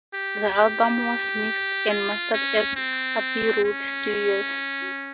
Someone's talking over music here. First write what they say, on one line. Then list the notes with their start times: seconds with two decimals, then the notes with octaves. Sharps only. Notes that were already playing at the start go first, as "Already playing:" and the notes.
The album was mixed and mastered at Abbey Road Studios.
0.15 G4
1.90 F4
2.34 C#4
2.76 C4
3.64 C#4